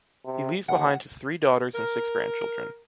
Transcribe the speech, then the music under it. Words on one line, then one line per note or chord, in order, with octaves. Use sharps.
He leaves behind his three daughters and six grandchildren.
C3
D#2 F#5
A#4